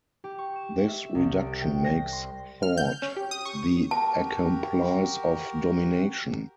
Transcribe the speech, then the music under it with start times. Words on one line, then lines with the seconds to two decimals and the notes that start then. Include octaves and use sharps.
This reduction makes thought the accomplice of domination.
0.24 G4
0.38 C#6
0.56 E7
0.88 E5
1.15 C2
1.40 D7
1.61 G5
1.84 A#6
2.13 C6
2.63 F6
2.77 G6
3.02 C#4
3.16 G4
3.31 D#6
3.46 C#6
3.91 F#4 G4 A#4 A5